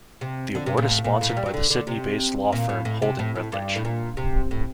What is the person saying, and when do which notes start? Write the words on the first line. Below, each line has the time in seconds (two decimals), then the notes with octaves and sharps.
The award is sponsored by the Sydney based law firm Holding Redlich.
0.21 C3
0.55 D3
0.66 C3
0.77 A#2
0.88 A2
1.04 A#2
1.21 A2
1.29 A#2
1.37 G3
1.46 F#3
1.54 D3
1.70 D3
1.87 C3
2.52 A#2
2.69 A2
2.85 A2
3.02 C3
3.19 A2
3.36 A2
3.52 G2
3.76 A2
3.85 A#2
4.17 C3
4.51 A2